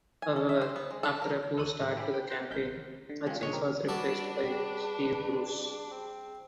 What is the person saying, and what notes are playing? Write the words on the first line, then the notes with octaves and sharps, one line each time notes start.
However, after a poor start to the campaign, Hutchings was replaced by Steve Bruce.
G#5
A4
E5
C5
B3
G#3
A4
A#4
D2 D#4 A4 C#5 F#6 D#7
A2
A2 G4 G#4 B5
G5
B4 C5 F#5 G5 A#5 C6
A1 G#3 A#4 G6 B6
D3
C#3 G#3 C4 C#4 F4
C#2 A#2 G#3 C#5 D#5
G4 A#4 C5
G3 D4 F#4 A4 B4
G#4 G5
C4